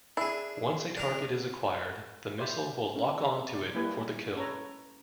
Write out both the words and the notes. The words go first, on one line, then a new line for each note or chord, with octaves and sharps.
Once a target is acquired, the missile will lock-on to it for the kill.
D4 E4 G#4
D4 A#4
C5 D5 E5 B5
C#4
D5
G3 A#3 E4 B4 G#5
C#4 A4 B4 C#5 A#5